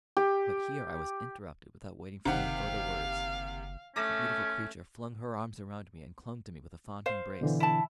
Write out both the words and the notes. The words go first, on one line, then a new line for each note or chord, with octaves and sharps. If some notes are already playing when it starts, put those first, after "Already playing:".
But here I was interrupted without waiting for any further words; the beautiful creature flung her arms around me and clung to me with a fond embrace.
G4
F#1 C3 D#3 F5 F#5
A3 C#4 D6 A#6
C5 F5
B2 D3 E3
E4 A5